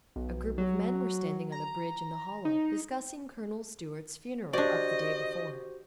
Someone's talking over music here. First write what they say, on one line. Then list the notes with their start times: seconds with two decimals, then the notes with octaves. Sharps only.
A group of men were standing on the bridge in the hollow, discussing Colonel Stuart's funeral of the day before.
0.16 B1
0.58 F#3
1.52 A#5
2.45 D#4
4.53 D4 F#4 G4 C5 D5 D#5